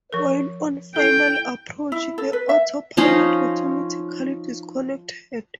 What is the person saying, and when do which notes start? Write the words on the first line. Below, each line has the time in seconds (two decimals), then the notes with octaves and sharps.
While on final approach, the autopilot automatically disconnected.
0.13 F3 A#4
0.96 E4 A4 G5
1.92 E4
2.18 A4
2.33 B4
2.49 E5
2.97 F3 C#4 D#4 C6